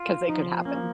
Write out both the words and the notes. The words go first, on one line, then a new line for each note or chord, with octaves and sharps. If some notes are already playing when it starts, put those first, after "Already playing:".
'Cause it could happen.
Already playing: F4
F3 D#4
A#3 C#4